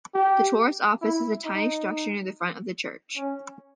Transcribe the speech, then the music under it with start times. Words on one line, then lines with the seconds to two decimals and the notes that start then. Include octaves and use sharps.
The tourist office is a tiny structure near the front of the church.
0.14 G4
1.01 E4
1.45 D#4
3.17 C#4